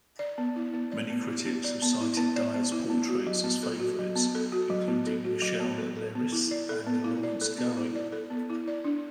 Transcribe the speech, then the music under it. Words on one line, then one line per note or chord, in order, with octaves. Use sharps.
Many critics have cited Dyer's portraits as favourites, including Michel Leiris and Lawrence Gowing.
D5
B3
E4
B3
D5
B3
E4
B3
D5
B3
E4
B3
D5
B3
E4
B3
F#4
F#3
B3
A4
F#4
F#3
B3
A4
F#4
F#3
B3
A4
F#4
F#3
B3
A4
A4
B3
E4
D5
A4
B3
E4
D5
A4
B3
E4
D5
A4
B3
E4
D5
D4